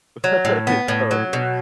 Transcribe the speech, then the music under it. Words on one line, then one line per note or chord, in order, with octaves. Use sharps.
Right on, dude.
F#3
A2
B3
A2
F#3
B2